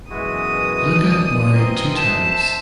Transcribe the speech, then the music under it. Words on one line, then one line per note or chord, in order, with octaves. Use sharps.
Luka married two times.
F#2 B2 E3 G#3 E4 F#4 D#6
D4
C4 A#4 C6
C5 E5 A5